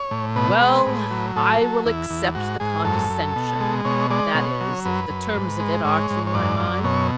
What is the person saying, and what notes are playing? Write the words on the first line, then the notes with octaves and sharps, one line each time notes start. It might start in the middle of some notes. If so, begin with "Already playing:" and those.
"Well, I will accept the condescension--that is, if the terms of it are to my mind."
Already playing: C#5
A2
B2 B4
G#3
A2
F#3
A2 A4
F#3
E2 E4
E2
G#2 F#4
G#2 G#4
F#2 A4
F#2
B2
G#3
B2 C#5
G#3 D5
B2 C#5
F#3
F#2 B4
F#2
G#2
G#3
G#2 C#5
G#2
C#5
F#2 D5
F#2
B2 C#5